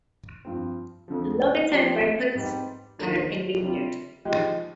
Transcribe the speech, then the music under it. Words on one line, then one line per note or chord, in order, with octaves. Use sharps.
Lebetine vipers are endangered.
G2 F3 C4
F2 D3 F3
F3 C4 G4
G#2 G3 C4 G4
D#3 A#3 D4 F4
C3 G3 D4 F4
F3 G#3 D#4 G4